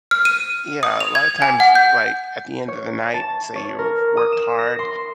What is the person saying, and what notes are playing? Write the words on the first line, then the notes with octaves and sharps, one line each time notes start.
yeah, a lotta times, like, at the end of the night, say you've worked hard,
F6
D#7
D#6
F7
G#6
G#5
F#5
G6
C#5
A5
C#5
A#4
D#6
E7
A#6
C6